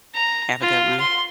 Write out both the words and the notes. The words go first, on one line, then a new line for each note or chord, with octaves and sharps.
Have a good one.
A#5
F4
C6